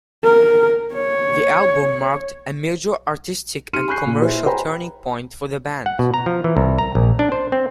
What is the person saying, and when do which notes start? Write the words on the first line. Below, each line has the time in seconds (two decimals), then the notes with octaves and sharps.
The album marked a major artistic and commercial turning point for the band.
0.24 A#4
0.94 C#5
3.73 D#4 G4 C6 F6 C#7 D#7
3.88 G#5 B5 C#6 F#6 G6 C7
4.06 A#2
4.22 E4 G#4 C5
4.46 C5 G5 G#5 A#5 B5
5.86 F#5
5.99 B2
6.14 A#5
6.26 F3
6.44 E3
6.57 C2
6.78 A#5
6.95 A#1
7.19 D4
7.32 C5
7.52 C4